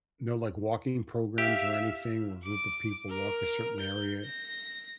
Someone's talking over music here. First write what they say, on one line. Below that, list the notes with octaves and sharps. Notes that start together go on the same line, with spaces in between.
no, like, walking programs or anything where a group of people walk a certain area
G4 E5 F5
D6
A#4
G6
A#6